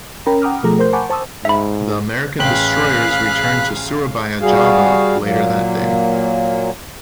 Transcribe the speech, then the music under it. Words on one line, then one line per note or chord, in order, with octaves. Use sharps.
The American destroyers returned to Surabaya, Java, later that day.
C#4 A#4 G5 A#5 B5
F#5 G5 A#5 D6 D#6 F6
B2 F3 A3 G#4 A#5
A#4 C5 C6 G6
F#5 G#5 A5 B5 C#6 D6
C5 A5 C#6 D#6 E6
G#2 E5 B5
A1 G#4 F5 G5 B5 F#6 F#7
G3 F#4 G#4 F5
A#2 F#3 A#3